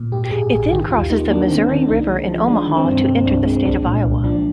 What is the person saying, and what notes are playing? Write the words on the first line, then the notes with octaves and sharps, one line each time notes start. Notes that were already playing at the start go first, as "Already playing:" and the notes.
It then crosses the Missouri River in Omaha to enter the state of Iowa.
Already playing: A#2
G#2 G4
G4
G#2 G#4
A#1 G#4
D#3 G4
D#2 F4
A#3 D#4
A#3 D4
D#3 C4
D#3 D4
C2 D#4
G#3
F3
G#3 D4
D#3
C4
G2
C3 C4
C2 D4
G#3 C4
C2 D4
A#2
C2
F3 D4